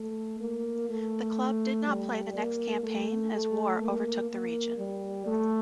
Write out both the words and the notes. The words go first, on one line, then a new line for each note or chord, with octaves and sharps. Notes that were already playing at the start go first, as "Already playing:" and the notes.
The club did not play the next campaign as war overtook the region.
Already playing: A3
A#3
A3
G3
A#3
A3
A3
A#3
A#3
G3
A3